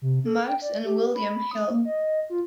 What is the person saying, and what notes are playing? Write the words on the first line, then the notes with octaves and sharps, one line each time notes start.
Maxx and William Hill.
C3
A4
G5
D5
G4
B5
D#6
A#3
D#5
F4